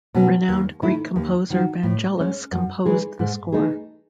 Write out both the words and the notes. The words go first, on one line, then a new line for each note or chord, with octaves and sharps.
Renowned Greek composer Vangelis composed the score.
B2 F#3 C#4
D#2
D#3 A3 E4
D#2
D#3 F#3
A2
G#3 C#4
F#2
E3 G#3 D#4 G#4
G#2
E3 A3 D#4 G#4